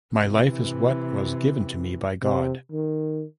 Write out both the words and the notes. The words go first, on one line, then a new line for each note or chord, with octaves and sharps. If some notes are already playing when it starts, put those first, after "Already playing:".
My life is what was given to me by God.
C3 E3
C3
D#3